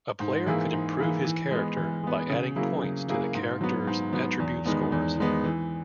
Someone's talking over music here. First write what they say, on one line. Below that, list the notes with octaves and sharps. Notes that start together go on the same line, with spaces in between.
A player could improve his character by adding points to the character's attribute scores.
G#2
E3 A#3 E4 G#4
G#2
E3 A#3 E4 G#4
E3
G#3 B3
E3
G#3 B3
C#3
F#3 A#3 E4 G#4
C#3
F#3 A#3 E4 G#4
G#2
F#3 B3
G#2
F#3 B3
E2
D#3 G#3 B3
E2
D#3 G#3 B3
E3